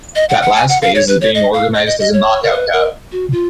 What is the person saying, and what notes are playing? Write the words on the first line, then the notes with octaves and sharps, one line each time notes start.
That last phase is being organized as a knockout cup.
D#5
F#5
F#5
G#5
F#5
F5
C#5
B4
C#5
D#5
F5
D#5
D#5
D#5
C#5
A#4
B4
A#4
F#4
F4